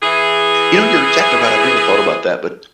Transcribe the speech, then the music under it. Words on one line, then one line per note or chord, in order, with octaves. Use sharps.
You know, you're exactly right, I've never thought about that, but
E3 G#4